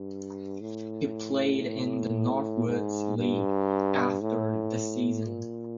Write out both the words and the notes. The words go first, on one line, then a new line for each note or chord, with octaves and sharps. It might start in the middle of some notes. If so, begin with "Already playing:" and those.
He played in the Northwoods League after the season.
Already playing: G2
A2
G#2
G2
A2
A#2